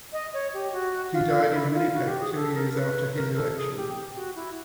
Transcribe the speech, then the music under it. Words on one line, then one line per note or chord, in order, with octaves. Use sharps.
He died in Winnipeg two years after his election.
D#5
C#5
G4
F#4
F4
E4
F4
F#4
G4
G#4
A4
A#4
B4
A#4
A4
G#4
G4
G4
F#4
E4